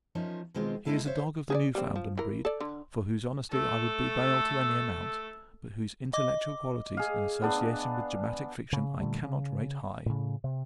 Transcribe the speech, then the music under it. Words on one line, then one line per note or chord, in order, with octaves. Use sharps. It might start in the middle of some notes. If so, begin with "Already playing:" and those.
He is a dog of the Newfoundland breed, for whose honesty I would be bail to any amount; but whose intellectual qualities in association with dramatic fiction, I cannot rate high.
F3 C#4 D#4 F4 A#4 E5
B2 D#3 G#3 C4 F4
G#3 A#3 D#4 E4 A4 F5
C5 C#5 E5 F5
G#4 B4 D5
G3 C4
F3
E3 A#4
A4 D5
D3
A3 A4
D#5 D6
G#4 F5
B3 D4
C#3
A#2 D3 G3 A3
C#3
A2 C#3
C3